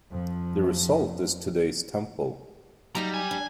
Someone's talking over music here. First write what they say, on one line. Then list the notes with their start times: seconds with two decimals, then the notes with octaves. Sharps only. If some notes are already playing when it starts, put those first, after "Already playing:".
The result is today's Temple.
0.11 F2 F3
2.95 F#3 G3 D#4 F5 A#5
3.14 G#5
3.31 D4